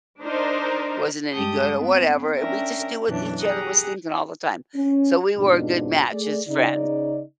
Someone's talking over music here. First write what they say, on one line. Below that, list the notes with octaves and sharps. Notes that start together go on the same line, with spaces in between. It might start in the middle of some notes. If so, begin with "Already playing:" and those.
wasn't any good or whatever. We just do what each other was thinking all the time. So we were a good match as friends.
D4 D#4 A#4 C5
G2 G#3 G4 A5 D#6 G6
B3 C4
C#4 D4 A#4 E5 G5 A#6
F#2 B2 E3 C#4 D4
G4 G#4 F#5 A#5 D#6
C#4
F2 G#2 B2 F3 D4 D#4
A3 G#4 D5
C#3 D#4 D5